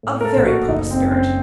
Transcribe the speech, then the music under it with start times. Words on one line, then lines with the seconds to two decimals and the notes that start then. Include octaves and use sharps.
A very proper spirit!'
0.03 A2
0.21 A#4
0.25 A4
0.36 A#1
0.46 F#4
0.68 F#1 D#4
0.91 C4
1.02 F#2
1.12 C4